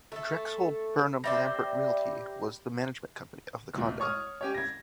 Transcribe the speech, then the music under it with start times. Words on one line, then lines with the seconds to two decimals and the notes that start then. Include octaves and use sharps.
Drexel Burnham Lambert Realty was the management company of the condo.
0.12 A3 A4
1.24 G3 C4 C5 D5 E5 A#6
3.74 F1 D2 A#2
4.00 C#5 C#6 D#6 F6
4.41 C#4 G4 C#5
4.54 G#6 A#6